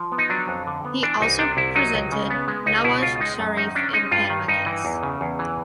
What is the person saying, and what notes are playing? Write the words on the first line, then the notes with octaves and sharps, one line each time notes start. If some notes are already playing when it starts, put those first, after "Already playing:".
He also presented Nawaz Sharif in Panama case.
Already playing: F3
B3
D#4
F#3 D4
F2
D3
B3
E3 D4
C2 D#4
C3 D4
C2 E4
F#3 D#4
C#2
C#3
B3
G#3
C#2 D#4
B2 E4
C#2 F4
G#3 D#4
F#2
D#3 D#4
C#4 D4
G#3 D#4
G2 F4
D#3
G2 D#4
E3
E2
C#3
E2
E3